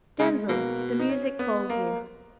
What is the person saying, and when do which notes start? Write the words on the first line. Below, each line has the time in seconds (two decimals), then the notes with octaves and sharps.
Denzil, the music calls you.
0.19 C#3 G#3
0.49 B2 A#3
0.99 D#4
1.10 C#4
1.39 B3
1.70 A#3